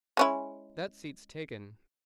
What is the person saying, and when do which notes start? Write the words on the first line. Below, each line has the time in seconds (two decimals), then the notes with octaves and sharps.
That seat's taken.
0.17 G#3 C#4 E4